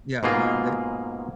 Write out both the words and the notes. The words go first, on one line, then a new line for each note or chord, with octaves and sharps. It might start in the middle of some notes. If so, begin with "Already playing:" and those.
Yeah, no, they
G#2 B2 A#3 F4 G#4